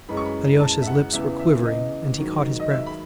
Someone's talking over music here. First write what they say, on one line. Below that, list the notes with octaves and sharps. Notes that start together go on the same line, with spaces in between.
Alyosha's lips were quivering and he caught his breath.
F#2 E3 G#3 C#4 B5
C#6
B5
A5
E5
F#5
E2 C#3 E3 E5
E5
D#5
G#2 D#3 F#3
D#5
E5
B5